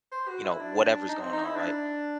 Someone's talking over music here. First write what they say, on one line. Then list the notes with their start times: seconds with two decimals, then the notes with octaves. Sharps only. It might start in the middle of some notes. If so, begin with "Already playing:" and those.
you know, whatever's going on, right?
0.12 C5
0.28 F#4
0.44 E4
0.60 D4
1.08 D#4
1.21 C4
1.33 D#4
1.45 E4
1.56 D4